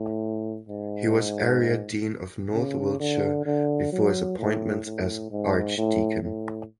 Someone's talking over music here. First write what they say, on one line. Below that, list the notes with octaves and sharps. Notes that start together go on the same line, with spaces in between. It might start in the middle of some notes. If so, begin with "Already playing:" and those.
He was Area Dean of North Wiltshire before his appointment as Archdeacon.
Already playing: A2
G#2
C#3
D3
D3
F#3
A2
A2
G#2
A2
A2